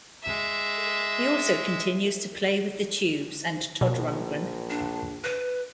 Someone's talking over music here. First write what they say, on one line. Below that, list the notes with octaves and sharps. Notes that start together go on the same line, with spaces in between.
He also continues to play with The Tubes and Todd Rundgren.
G#3 E5
A#1 B2
D4
B4